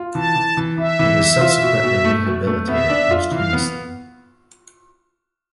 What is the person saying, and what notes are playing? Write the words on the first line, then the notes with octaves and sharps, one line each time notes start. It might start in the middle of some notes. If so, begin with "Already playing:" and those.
He was subsequently rehabilitated posthumously.
Already playing: F4
E3 A5
E3
E3
E3 E5
E3
E3
F4
B2
B2
A3
B2
A3
B3 E5
D4
F4
E3 F5
B3